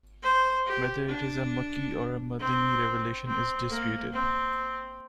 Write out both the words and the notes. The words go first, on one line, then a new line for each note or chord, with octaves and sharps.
Whether it is a Makki or a Madani revelation is disputed.
C5
G4
D4
C4
C4
A#3
C4